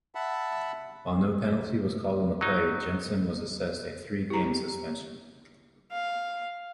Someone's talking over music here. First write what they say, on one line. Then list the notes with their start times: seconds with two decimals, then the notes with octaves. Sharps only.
While no penalty was called on the play, Janssen was assessed a three-game suspension.
0.15 E5 F#5 A5 B5
2.41 F#3 D#4
4.30 E4 G4 A#5
5.92 F5